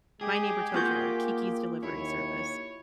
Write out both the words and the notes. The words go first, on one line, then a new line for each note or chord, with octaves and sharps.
My Neighbor Totoro, Kiki's Delivery Service,
G#3 G4 G#4
A#3 F4 F#4 G6
D#2 E4 C#5